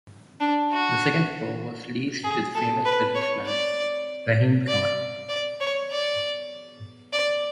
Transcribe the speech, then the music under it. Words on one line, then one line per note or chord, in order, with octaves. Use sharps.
The second floor was leased to the famous businessman Rahim khan.
D4
F#4
G#4
A4
B4
C#5
D5
D5
D5
C#5
D5
D5